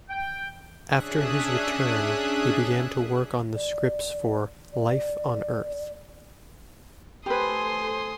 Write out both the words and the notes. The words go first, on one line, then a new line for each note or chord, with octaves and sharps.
After his return, he began to work on the scripts for "Life on Earth".
G5
C#4 D4 G#4 E5 D#6 F#6
D5
D5
A3 G4 A4 B4 C5 G#5 C6 D#6